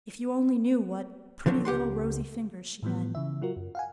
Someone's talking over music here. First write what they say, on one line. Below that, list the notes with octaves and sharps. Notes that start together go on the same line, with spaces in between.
If you only knew what pretty little rosy fingers she had!
D3 F3 F#3 C4
C#2 G4 F#5 C6
A2 E3 F3 G3 B3
C#3 E3 E5
F#3 F4 F#4 A#4
F#2
F5 F#5 G#5